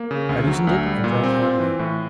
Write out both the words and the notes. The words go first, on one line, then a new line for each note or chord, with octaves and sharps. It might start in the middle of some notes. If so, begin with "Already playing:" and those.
I loosened it and drank heartily.
Already playing: A#3
C#3
D2
F#3
D2
G3
A#2
C4
F4
E3
A2